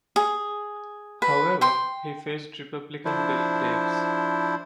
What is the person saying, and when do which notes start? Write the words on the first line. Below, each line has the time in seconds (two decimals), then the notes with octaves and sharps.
However, he faced Republican Bill Graves.
0.16 G#4
1.22 B4
1.61 G5 C6
3.05 F3 D4 E4 C5